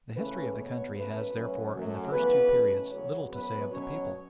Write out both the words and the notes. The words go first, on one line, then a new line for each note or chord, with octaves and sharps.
The history of the country has, therefore, in the first two periods little to say of the people.
C#3 E3 A3 C#4 B4
B2 B3 C#5
F#2 F#3 A3 C#4 B4
F#2 F#3 A3 C#4
F#2 F#3 A3
C#3 E3 B3 B4
B2 A3 C#4
E2 C#3 F#3 B3 C#5
F#2 F#3 B3 B4
B2 F#3 C#4 C#5